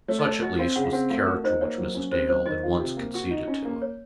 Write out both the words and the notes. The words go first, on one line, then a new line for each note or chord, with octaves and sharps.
Such, at least, was the character which Mrs. Dale at once conceded to him.
A3 C#5
D#5
A4 C#5
F#4 D#5
C4 F5
C#3 F#5
F5
C4 F#5
A3 F5
F#4 A#4
D#4 C5
A#3 C#5
F#3
C#4
C4 C5
F#3 C5
D#3 D#5
F4
C3
A#3
F#4
D#4
C#4
A#3
C#5